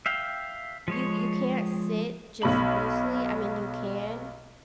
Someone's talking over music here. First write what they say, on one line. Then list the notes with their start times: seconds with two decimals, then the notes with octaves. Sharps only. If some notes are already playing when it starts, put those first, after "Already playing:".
you you can't sit just loosely, I mean, you can,
0.06 E5 F5 G5
0.88 F3 G#3 C#5
2.42 B1 B5 F#7